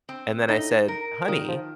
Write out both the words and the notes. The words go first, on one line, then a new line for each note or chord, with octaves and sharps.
and then I said, "Honey,
C4
A2 D#4
A#4
A#2 D#3
F3